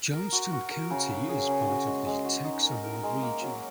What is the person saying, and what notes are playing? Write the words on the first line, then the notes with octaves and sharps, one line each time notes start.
Johnston County is part of the Texoma Region.
A#4
F#4
F#4
A#4
C#3
F#3
G#4
C#3
F#4
G#3
G#3
F#4
D#4
A#4
A#4
G#3
A#3
F#3